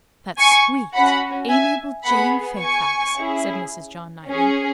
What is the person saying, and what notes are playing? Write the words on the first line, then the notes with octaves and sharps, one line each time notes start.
"That sweet, amiable Jane Fairfax!" said Mrs. John Knightley.
G#5 C#6
C#4 F#4 F#5 B5
E5 G#5
B3 G#4 F#5 B5
G#5 C#6
C#4 E4 G#4
C#4 G#4